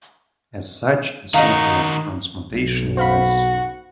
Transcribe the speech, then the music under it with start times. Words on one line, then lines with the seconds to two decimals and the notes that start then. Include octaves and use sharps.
As such, a circle of transmutation is necessary.
1.34 D#3 D#4 F#4 D#5 F5
2.52 B1
2.97 F#4 C5 F5 B5